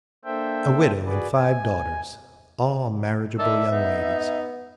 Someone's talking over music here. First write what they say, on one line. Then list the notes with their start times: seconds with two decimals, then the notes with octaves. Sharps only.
A widow and five daughters, all marriageable young ladies.
0.25 A#3 D4 A4 C5 E5 G5
1.05 F#4 G#4 B4 D5
1.35 G#5
3.39 D#3 D5 E5 A5 E6
3.71 B3 D#4